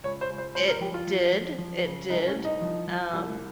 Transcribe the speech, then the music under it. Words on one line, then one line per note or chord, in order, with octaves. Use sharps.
It did. It did. Um,
C#2 C#5
C5
C#2
C5
C#2 C5
A#4
F3 G4
F4
F3
F3
F3
C#3
C2 D#4
C#4
C2
D#4
F3
F3
C2